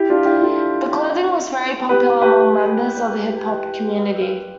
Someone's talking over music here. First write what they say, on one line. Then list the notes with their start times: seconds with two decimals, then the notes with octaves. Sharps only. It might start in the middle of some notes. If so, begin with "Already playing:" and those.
The clothing was very popular among members of the hip-hop community.
Already playing: E4 G4
0.10 D4 F4
0.25 E4 G4
0.42 F4 A4
1.89 G4 B4
2.22 G4 B4